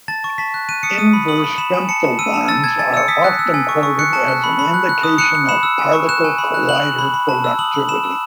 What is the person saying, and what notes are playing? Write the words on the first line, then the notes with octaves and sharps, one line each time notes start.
Inverse femtobarns are often quoted as an indication of particle collider productivity.
A5 A6
C#6
A5 B6
F#6
F#6 D#7
D#6 C#7
D#6 D#7
B5
D#6 F#7
B5
B5 E7
G#5
A5 C#7
A5
E6 D#7
A5
E6 A6
A5 G#6
G#5 A6
E6 C#7
D#6 B6
F#6
E6
G#5
C#6
C#6
F#6 C#7
A5
F#6
B5
B5
F#6
F#6
D#6
F#6 C#7
F#6
B5 E7
E6
G#5
C#6
F#6 E7
G#5
B5
F#6
F#6 F#7
F#6
B5
B5
A5
E6
D#6 F#7
B5
B5 E7
E6